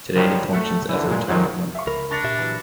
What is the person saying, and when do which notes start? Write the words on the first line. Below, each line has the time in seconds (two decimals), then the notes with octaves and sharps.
Today, it functions as a retirement home.
0.16 F3 G3 D#4 F#4 G4 C#5
0.53 A3 A4 E5 F#5
0.89 D3 E3
1.08 A#2 G#3
1.28 D#3 F3 F#3 G#3
1.75 E5 F5 C#6
1.87 C#2 A#4 B5
2.11 D4 A5 C#6 A6 A#6 C#7 F7
2.24 A#2 G4 E5
2.39 E3 F#3